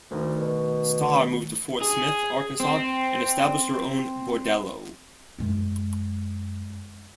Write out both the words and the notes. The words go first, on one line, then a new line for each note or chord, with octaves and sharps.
Starr moved to Fort Smith, Arkansas and established her own bordello.
D2 D#3 A3
B2
G#4
C4
F#2 G#3